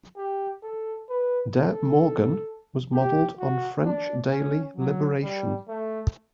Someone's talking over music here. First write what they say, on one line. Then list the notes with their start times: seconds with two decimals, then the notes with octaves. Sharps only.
"De Morgen" was modelled on French daily "Liberation".
0.17 G4
0.63 A4
1.09 B4
1.55 A4
2.93 G4
3.39 F#4
3.85 D4
4.31 C#4
4.77 F#3
5.23 G3
5.68 A3